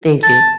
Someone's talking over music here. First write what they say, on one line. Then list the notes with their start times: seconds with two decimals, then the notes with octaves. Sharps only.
thank you.
0.24 A5